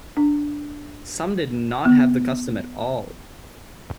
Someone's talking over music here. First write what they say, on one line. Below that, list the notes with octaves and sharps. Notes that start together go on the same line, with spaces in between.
Some did not have the custom at all.
D4
B3